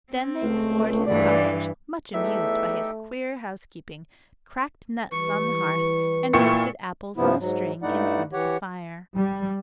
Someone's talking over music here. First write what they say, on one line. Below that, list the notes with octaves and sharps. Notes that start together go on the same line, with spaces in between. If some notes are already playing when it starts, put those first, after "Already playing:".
Then they explored his cottage, much amused by his queer housekeeping, cracked nuts on the hearth, and roasted apples on a string in front of the fire.
C4
C#2 A3
C#2 G2 D3 E3 D5
E2 A3 D#4 G4 A4 E5
E3 G3 B4 C#6
A#2 E4 F4 G5 C#6 C#7
G2 C3 F3 B3 E4
G#2 F#3
G2 A3 D#4 E4 D5 F#5
E3 G4 C#5 F#5
G3